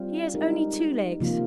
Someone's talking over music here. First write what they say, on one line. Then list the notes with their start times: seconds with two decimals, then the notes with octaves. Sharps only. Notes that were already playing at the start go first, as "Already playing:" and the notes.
He has only two legs!
Already playing: G3 C4 F4
0.34 G#3 D#4 G4 A#4
1.20 C3 F3 A#3 F4